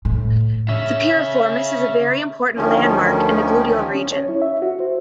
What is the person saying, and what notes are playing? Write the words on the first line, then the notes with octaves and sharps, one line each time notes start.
The piriformis is a very important landmark in the gluteal region.
A2
C#3 C#4 E5
D2 D#3 F3 C#4
C#4
C#5
E4
E5
F#4
C5